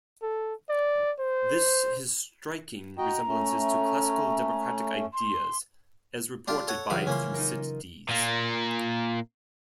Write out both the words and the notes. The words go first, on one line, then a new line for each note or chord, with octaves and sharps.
This has striking resemblances to classical democratic ideas, as reported by Thucydides.
A4
D5
C5
F#4 D#5 G5 A#5
A3 C#4
C6
D4 F4 G4
A4 C#5 F#5
C#2 E3 F#3 F4 F5 B5
C#3 A#3 C#4 E4 C6
D#4 F4 A#4
A#2 A#3